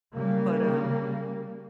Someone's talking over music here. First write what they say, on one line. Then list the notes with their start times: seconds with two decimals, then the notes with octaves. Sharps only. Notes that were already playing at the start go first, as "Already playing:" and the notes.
But, um,
0.15 C#3 G3 A#3